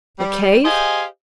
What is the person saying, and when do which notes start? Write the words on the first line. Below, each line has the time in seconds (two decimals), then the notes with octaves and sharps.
"The cave?"
0.19 G3
0.64 G4 G#4 C5 D#5 F5 G#5